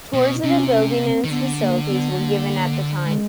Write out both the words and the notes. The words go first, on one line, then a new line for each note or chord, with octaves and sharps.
Tours of the building and its facilities were given at the time.
B2
C3 C#4
C#4
C4
D#3
D3 B3
A#3
B3
A#3
G#3